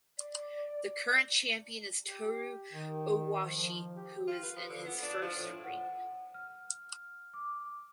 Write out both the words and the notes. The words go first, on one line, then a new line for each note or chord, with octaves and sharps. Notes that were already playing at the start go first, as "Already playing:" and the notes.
The current champion is Toru Owashi who is in his first reign.
D5
G4
D#3
F3
F3
G4
F4
B4
F3
D3
B3
D4
F3
A2
F#5
F6
D6